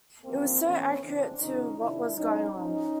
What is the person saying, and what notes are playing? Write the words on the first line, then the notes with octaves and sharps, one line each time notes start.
It was so accurate to what was going on.
D#2 D3 F3 A#3 C4
A2 E3 B3 C#4
E2 C#3 E3 C4 D4
F2 C3 D#3 C#4 D#4
F2 C3 D#3 D4 E4
A2 F#3 C#4 D#4
G#2 F3 C#4 D#4